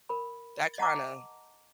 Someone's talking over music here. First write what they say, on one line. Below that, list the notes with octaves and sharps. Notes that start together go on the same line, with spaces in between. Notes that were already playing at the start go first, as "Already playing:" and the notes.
that kinda
A#4 B5
D#5 F#5 A5 A#5 D6